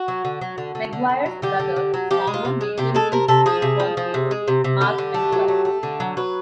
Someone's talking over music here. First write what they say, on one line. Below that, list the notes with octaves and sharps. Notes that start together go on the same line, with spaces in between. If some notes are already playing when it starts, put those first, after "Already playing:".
McGwire's brother is former Major League Baseball player Mark McGwire.
Already playing: F#4
F#3
D3
F#3
D3
D3
D3
D3
F#3
D3 G4
D3
D3
F#3
F3 G4
G#3
F4
C3
G#3
C3 G4
G#3 A4
C3 A#4
C3 A4
F3 G#4
C3
F3
F3
C3
G#3
C3
C3
D3 G4
D3
A3
F#3
A3
A3
D3
F#3
F#3 B4